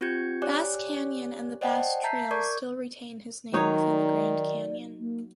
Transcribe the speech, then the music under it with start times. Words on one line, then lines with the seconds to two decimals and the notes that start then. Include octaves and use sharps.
Bass Canyon and the Bass Trails still retain his name within the Grand Canyon.
0.01 C4 F4 G4 G6 G#6 C#7
0.42 G4 C#5 D5 G#5 D6 F#6
1.61 C5 D5 D#5 F#5 G5 A5
2.03 E5 A5 A#5 G6 B6 C7
2.31 A#4 D5 C#6 D6 G6 G#6
3.53 D#3 F#3 D#4 C#5
3.90 D5
4.99 A#3